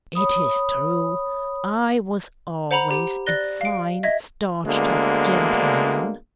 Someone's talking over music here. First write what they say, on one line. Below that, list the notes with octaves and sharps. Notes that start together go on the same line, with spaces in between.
It is true, I was always a fine starched-up gentleman!
C#5 B5 D#6
C5 F#5 A#5 B5 F7
G4
D5 F#6 A#6 G7
F5 D7
D#5 E5 G#6
D2 D3 G#3 A#3 B3